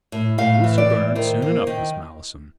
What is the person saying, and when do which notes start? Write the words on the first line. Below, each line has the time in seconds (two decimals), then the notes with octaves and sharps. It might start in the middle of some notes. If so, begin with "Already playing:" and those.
"You will see Bernard soon enough, Miss Malleson."
0.12 A2
0.38 A2 F5
0.64 E3
0.78 D5
0.90 A2
1.15 D#3 C5
1.42 A#3
1.67 D#3